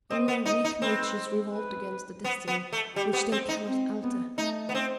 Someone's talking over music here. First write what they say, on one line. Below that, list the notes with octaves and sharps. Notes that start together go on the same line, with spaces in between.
Only weak natures revolt against a destiny which they cannot alter.
C4 D#5
B3
D#4 D#5
D#4
C4 B4
B4
B3
B3
A3
G3 G4
B3
C4
D#4
C4
B3
A3 D#4
B3
C4